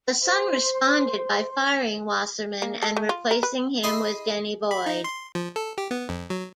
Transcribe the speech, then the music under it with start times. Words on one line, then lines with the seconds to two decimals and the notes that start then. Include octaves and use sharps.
The Sun responded by firing Wasserman, and replacing him with Denny Boyd.
0.22 C5 C6
2.62 A#3
2.83 A4
2.97 A3
3.09 F4
3.31 A#4
3.43 B4
3.83 E4 G#4 D#5 E5 C6
4.71 B5
4.86 D#4
5.04 C6
5.35 F3
5.56 A4
5.78 G4
5.91 B3
6.09 F2
6.30 F#3